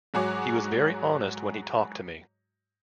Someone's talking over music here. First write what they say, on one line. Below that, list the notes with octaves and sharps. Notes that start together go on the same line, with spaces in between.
He was very honest when he talked to me.
G#2 F#3 F#4 G#4 C#5 D6